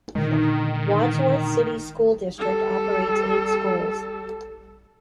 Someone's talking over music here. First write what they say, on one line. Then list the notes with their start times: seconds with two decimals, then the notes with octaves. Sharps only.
Wadsworth City School district operates eight schools.
0.15 A#2 D3 D#3 G#3
2.39 G3 A4